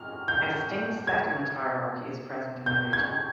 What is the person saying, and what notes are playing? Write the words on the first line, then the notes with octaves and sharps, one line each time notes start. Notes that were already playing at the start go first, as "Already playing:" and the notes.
A distinct settlement hierarchy is present in the region.
Already playing: F6
G6
G#6
G6
G#6